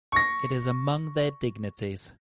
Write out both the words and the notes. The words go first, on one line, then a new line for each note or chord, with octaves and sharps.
It is among their dignities.
C#6 A#6